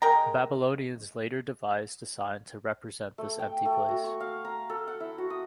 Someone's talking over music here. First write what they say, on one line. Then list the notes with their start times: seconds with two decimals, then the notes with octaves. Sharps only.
Babylonians later devised a sign to represent this empty place.
0.02 G#3 A#4 G5 A#5
3.18 A3
3.39 G5
3.65 A3
3.89 F#4
4.04 C#6
4.20 F5
4.45 A#5
4.70 A4
4.88 F#5
5.00 E4
5.18 F#4
5.30 D#6